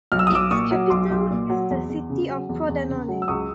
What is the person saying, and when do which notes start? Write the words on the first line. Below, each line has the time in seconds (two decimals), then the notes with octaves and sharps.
Its capital is the city of Pordenone.
0.12 B1 F6
0.19 E6
0.27 D#6
0.31 B1 D6 E6
0.51 A#2 C#6 D#6
0.71 F#3
0.90 B1 C6 D6
1.10 B1
1.31 A#2
1.50 F#3
1.70 E2
1.89 E2
2.10 C#3
2.30 F#3
2.49 E2
2.69 E2
2.89 C#3
3.08 F#3
3.22 E6
3.28 C#2 C#6 D#6